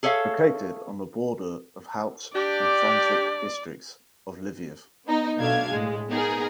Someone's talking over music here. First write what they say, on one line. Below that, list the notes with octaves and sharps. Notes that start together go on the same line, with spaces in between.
Located on the border of Halych and Frankivsk districts of Lviv.
G#4 A4 C#5 E5 F5
D4 G4 D5
B3 D#4
B1 B2 A3 D4 F5 G#6
A2 G#3
B3 D#4 G#4 A#4